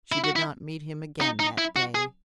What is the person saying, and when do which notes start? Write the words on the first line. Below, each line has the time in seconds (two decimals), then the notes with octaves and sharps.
She did not meet him again that day.
0.12 E4
0.24 F#4
0.36 E4
1.21 D#4
1.40 D#4
1.58 E4
1.76 F#4
1.95 G#4